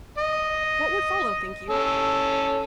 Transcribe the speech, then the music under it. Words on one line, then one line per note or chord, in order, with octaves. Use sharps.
What would follow, think you?
D#5
C#4 A4